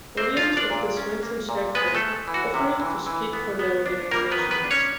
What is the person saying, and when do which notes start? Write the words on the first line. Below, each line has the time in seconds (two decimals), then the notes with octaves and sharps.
Williams of the Swinton Circle offering to speak for the organisation.
0.17 A#3 C4 C5
0.37 F4 F5
0.43 F3
0.57 D4 D5
0.70 A#2
0.97 C#4
1.23 A#3
1.49 A#2
1.75 G#3 B3 B4
1.95 A3 A4
2.01 G#3
2.28 E3
2.34 F#4
2.54 C3
2.80 E3
3.07 E3
3.33 B3
3.59 B3
3.86 D4
4.11 G3 A#3 A#4
4.32 B3 B4
4.38 D#3
4.51 B3 B4
4.64 D4
4.71 C#4 C#5